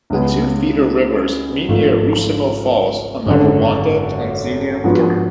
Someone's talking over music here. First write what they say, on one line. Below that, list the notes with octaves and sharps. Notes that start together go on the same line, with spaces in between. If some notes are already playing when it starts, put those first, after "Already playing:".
The two feeder rivers meet near Rusumo Falls on the Rwanda-Tanzania border.
C#2 C#3 G#3 B3
G#1 G#2 F3 A3 F4
G#1 F#2 D3
G#2 F3 B3 D4 F#4